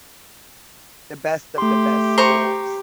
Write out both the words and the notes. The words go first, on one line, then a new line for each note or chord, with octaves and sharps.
The best of the best schools.
A3 G4 C6
C5 A#5 C#6